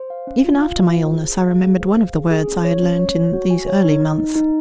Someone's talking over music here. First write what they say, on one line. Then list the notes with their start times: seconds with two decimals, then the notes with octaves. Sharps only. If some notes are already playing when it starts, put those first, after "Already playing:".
Even after my illness I remembered one of the words I had learned in these early months.
Already playing: C5
0.10 F5
0.27 C#4
0.44 F4
0.62 F5
0.79 F4
0.96 C5
1.12 G#4
1.29 G#4
1.46 F5
1.63 G#4
1.80 C5
1.97 F5
2.14 G#4
2.31 G#4
2.48 C#4
2.65 C#5
2.83 C#4
2.99 C#5
3.16 C#5
3.33 F#4
3.50 G#5
3.68 C#5
3.84 D#4
4.01 D#4
4.19 D#4
4.35 D#4